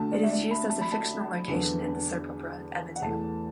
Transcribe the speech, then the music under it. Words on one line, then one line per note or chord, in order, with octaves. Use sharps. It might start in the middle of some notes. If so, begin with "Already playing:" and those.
It is used as a fictional location in the soap opera "Emmerdale".
Already playing: D2 D3 A3 A5
D5
E5
D5
B5
A5
B5
A5
E2 D3 B3
F#5
E2 E3 A3 A5